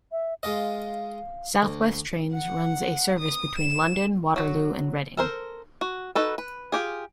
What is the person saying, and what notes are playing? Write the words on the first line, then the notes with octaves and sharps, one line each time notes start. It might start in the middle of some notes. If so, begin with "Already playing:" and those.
South West Trains runs a service between London Waterloo and Reading.
E5
G#3 F4 D#5 F5
D2
F#5
D#6
E7
F#3 F#4
A4 A#4 C5
F#4
D#4 F#4 A4 B4
B4
F4 G4 G#4